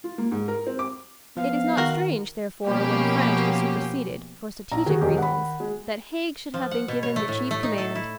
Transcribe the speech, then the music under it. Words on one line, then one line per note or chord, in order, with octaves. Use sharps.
It is not strange, therefore, when French was superseded, for strategic reasons, that Haig should have been given the chief command.
F4
A#3
G#2
A#4
C4
D6
F3 B3 F5
D#3 F#4 A#4
B2 F3 A#3 C#4 G4
A#1 A#5
D#3 F#4 G#4
E1 G#3 G4
F#5 B5
G#3
F3
F#5
B2
C#5
A3
A2
A3
D#4
A4
E4